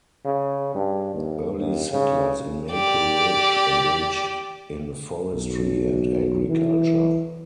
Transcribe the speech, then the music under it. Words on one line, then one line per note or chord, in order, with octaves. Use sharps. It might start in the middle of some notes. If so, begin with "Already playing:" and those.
Early settlers in Maple Ridge engaged in forestry and agriculture.
C#3
G2
D#2
D#2
C#3
G4 D5
B1
E3